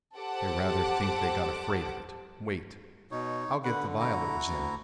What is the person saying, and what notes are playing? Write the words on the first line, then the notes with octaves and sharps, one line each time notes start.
I rather think they got afraid of it. Wait, I'll get the vial it was in.
G4 A4 C5 F#5 A5 D6
B2 D#4 C#5
D3 B4 F#5
E4 F#4 A#5
D2